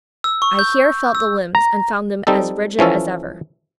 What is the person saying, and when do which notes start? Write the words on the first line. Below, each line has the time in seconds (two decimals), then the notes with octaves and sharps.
I here felt the limbs and found them as rigid as ever.
0.24 E6
0.42 C#6
0.59 G6
1.15 E6
1.55 A#5
2.27 G3 C4 D#4 A4
2.79 E3 F3 C#4 A4